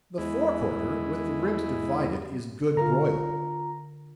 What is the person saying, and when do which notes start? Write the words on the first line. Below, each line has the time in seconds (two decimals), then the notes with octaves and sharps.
The fore quarter, with the ribs divided, is good broiled.
0.18 E2 G#3 E4
2.77 D3 F4 A#4 A#5